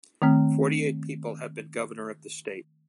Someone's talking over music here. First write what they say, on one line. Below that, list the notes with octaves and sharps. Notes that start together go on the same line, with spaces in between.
Forty-eight people have been governor of the state.
D#3 A3 C4 F6